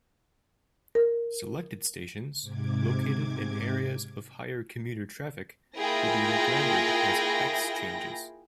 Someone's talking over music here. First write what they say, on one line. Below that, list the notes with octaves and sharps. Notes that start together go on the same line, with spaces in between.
Selected stations, located in areas of higher commuter traffic, will be rebranded as Xchanges.
A#4
G#2 C3 D6 G#6
A#3 E4 F4 G#4 G5 A#6